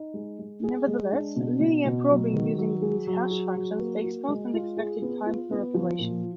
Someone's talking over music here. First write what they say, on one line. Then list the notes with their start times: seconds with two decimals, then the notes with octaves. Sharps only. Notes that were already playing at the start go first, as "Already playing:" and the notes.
Nevertheless, linear probing using these hash functions takes constant expected time per operation.
Already playing: D#4
0.14 G#3
0.39 G#3
0.63 G#4
0.87 G#3
1.12 D4
1.36 B2
1.60 B2
1.85 B2
2.10 F#3
2.33 D#3
2.58 F#3
2.82 G#4
3.07 F#3
3.31 G#4
3.55 F#3
3.79 A#3
4.04 F#4
4.28 G#3
4.54 F4
4.77 G#4
5.02 B3
5.26 F4
5.51 B3
5.74 F3
5.99 A#2